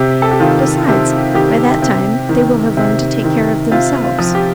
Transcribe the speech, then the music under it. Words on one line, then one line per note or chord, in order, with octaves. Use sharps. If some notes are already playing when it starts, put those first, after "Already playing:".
"Besides, by that time they will have learned to take care of themselves."
Already playing: C3 G4
A4
G4
D#3 F4
C3 G4
D#3 G4
C3
D#3
C3
D#3
C3 F4
F4
F3
G4